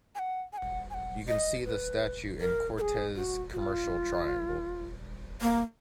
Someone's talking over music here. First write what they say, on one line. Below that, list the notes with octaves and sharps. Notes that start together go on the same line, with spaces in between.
You can see the statue in Cortes Commercial Triangle.
G#5
F#5
G#5
F#5
G#5
F#5
D#5
B4
A#4
A#4
G#4
F#4
F#4
F4
A#3